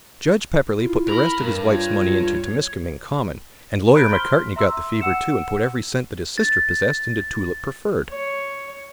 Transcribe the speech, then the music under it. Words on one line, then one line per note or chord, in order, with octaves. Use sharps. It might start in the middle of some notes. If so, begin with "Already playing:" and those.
Judge Pepperleigh put the rest of his wife's money into Temiskaming Common, and Lawyer Macartney got the fever, too, and put every cent that his sister possessed into Tulip Preferred.
E4 F4
A#4 B5
G2 A#4
F4 C#5
C5 A#5 B5 F#6 G6 D7
C6 F6 B6 G7
E5 A#5 C6 E6
F#5 E6 C#7 E7
A6
C#5